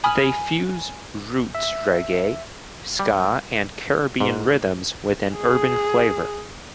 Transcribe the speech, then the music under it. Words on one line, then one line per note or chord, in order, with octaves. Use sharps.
They fuse roots reggae, ska and Caribbean rhythms with an urban flavour.
G#5 B5 D#6 F6
E5
G3
G#2
G#4